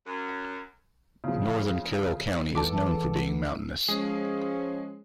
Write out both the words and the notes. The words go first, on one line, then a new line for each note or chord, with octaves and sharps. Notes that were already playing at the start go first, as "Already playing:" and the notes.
Northern Carroll County is known for being mountainous.
F#2
C#3 F3
E2 E3 G#3 A4 D6
F3 G#3 C#4 G#4